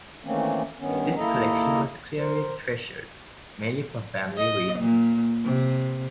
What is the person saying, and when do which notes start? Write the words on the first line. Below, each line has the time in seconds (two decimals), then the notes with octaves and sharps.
This collection was clearly treasured, mainly for family reasons.
0.24 D#3 E3 A3 A#3 C4 C#4
0.78 G2 D#3 B3 C#4
1.17 D#2 A#3 E4 A4 D#5 A#5
2.17 A#4 C5
4.37 D#5
4.79 A#2
5.45 C3